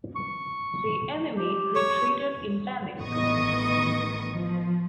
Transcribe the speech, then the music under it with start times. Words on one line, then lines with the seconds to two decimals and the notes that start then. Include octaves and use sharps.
The enemy retreated in panic.
0.16 C#6
1.37 G4
1.75 C#5
3.01 A1 D#3 B3 D#5 C#6 D#6
4.32 F3